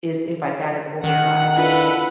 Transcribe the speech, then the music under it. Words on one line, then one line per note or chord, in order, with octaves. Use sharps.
is if I got it oversized,
D#3 F#5 F#6
D4 E4 F4 A4 B4